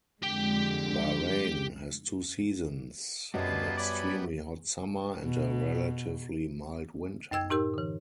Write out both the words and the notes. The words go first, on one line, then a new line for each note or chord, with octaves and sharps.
Bahrain has two seasons: an extremely hot summer and a relatively mild winter.
F2 D3 G#3 G4 G5
F#2 B2 D3 G3 B3 F4 G#4 A5
D5 G#5 A5 B5
B2
F#2 D#5 G5 E6 G#6
A2 D#4 G4 A#4 E6
D3 E3